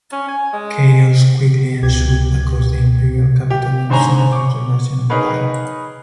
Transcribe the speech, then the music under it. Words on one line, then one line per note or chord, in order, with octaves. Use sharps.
Chaos quickly ensued across the Imperial capital and soon across the Russian Empire.
C#4
G#5
G#3
C#2 B2 G4 G#6
G4
G#2 D3 C5 C#5 G#5 A#5
C#6 D6
D#4 G#4 A#4 B4 C#5